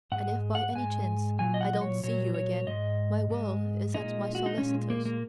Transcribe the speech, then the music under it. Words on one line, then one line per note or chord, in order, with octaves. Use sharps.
And if by any chance I don't see you again, my will is at my solicitor's.
G#2 G#3 F#5
F#5
G#2 G#3 G#5
A#2 F#3 G#5
D#5
F#5
D#5
C#5
A#2 F#3 C#5
C#5
G#2 G#3 D#5
G#2 G#3
A#2 G#3 D#4
F#4
D#4
A#2 G#3 C#4
A#3
A#3